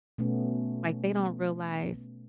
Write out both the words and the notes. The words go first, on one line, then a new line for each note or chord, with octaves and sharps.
Like, they don't realize
B2 A3 B3 C#4